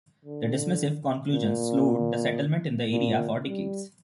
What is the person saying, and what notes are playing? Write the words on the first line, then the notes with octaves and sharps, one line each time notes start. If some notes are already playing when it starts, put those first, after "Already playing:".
The dismissive conclusions slowed settlement in the area for decades.
D3
A#2
A#2
G3